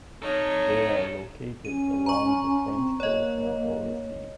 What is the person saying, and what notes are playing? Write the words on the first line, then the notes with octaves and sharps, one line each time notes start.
They are located along the French coast and overseas.
D#4 A4 C#5 F5 A#5 C#6
C#4 D#7
A#5 C#6
C4
A#3 C#5 D#5